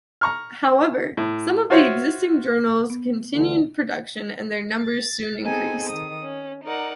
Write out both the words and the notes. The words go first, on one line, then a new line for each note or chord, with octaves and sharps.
However, some of the existing journals continued production and their numbers soon increased.
A#5 C#6 F6
A2
F4 F#4 C5 C#5 E5 F5
B3
D2 D3 E3
A6
B3 C4 D#4 G#4 A4 G#5
D#3 D#6
C#4
D#4 A#4 D5 F#5